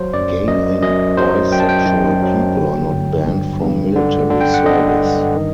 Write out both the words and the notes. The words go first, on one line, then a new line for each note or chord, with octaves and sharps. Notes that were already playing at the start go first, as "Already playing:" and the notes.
Gay and bisexual people are not banned from military service.
Already playing: F#3 C5
F#2 D5
F#2 D#5
F#2 D#5
F#3 C5
F#2 G5
A5
G5
F#2
F#3
D3
G1
G2
G2
D3
D3
G5
F#5
D3 D#5
G2
D#3